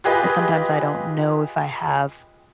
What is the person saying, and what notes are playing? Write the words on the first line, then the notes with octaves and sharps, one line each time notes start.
sometimes I don't know if I have
F4 G4 G#4 B4 D#5